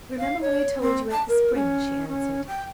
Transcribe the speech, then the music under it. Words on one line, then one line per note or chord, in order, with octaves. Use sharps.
"Remember what I told you at the spring," she answered.
F5
C#5
C4
A5
A#4
C#4
C#4
G5